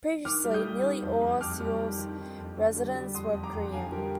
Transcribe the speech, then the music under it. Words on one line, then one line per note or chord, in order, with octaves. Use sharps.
Previously, nearly all of Seoul's residents were Korean.
D#3 D6 F6
G3
D#6 G6
G3
D#3
F2
F2
F2 D6 F6
G3
D#3
D#3
D#3
F2
D3
G3
G3
F2 C6 D#6
F2
A#5 D6
F2
D3 F5 G#5
G3 G4 A#4